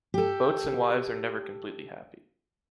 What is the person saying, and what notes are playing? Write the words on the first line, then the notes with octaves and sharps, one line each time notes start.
Boats and wives are never completely happy.
G4 A4